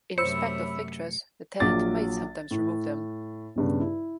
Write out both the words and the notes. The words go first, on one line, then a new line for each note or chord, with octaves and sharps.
In respect of fixtures, the tenant may sometimes remove them.
F#2 C3 A3 C5 C#5 B5 E6 C#7
A#1 F#3 F4 D6 A6
A2
B1 G2 C#3
E4